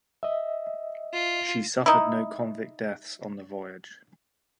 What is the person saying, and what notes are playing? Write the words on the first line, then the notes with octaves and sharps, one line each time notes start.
She suffered no convict deaths on the voyage.
D#5 E5
F4
D#4 E4